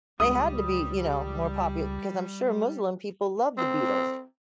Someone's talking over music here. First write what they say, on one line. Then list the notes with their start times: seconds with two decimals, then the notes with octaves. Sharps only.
they had to be, you know, more popu 'cause I'm sure Muslim people loved the Beatles.
0.20 C#2 G3 D#6
3.57 C4